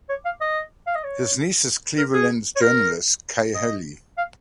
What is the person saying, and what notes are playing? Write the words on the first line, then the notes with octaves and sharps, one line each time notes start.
His niece is Cleveland journalist Kay Halle.
C#5
F5
D#5
F5
D#5
C#5
A#4
G#4
C#5
A#4
D#5
F5